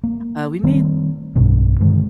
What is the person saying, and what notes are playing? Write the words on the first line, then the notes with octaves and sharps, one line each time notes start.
uh, we made
A#3
D#3 G3 A3 C4
B1 G2 B2
G2 D3 D#3 G#3